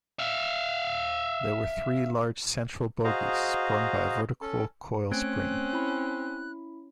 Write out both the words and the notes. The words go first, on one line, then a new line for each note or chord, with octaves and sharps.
There were three large central bogies, sprung by a vertical coil spring.
E5 F5
F#4 G#4 C5 D#5 F5 A#5
C#4 A4
A3 C4 C#4 F#6 G#6 D7
E4 B5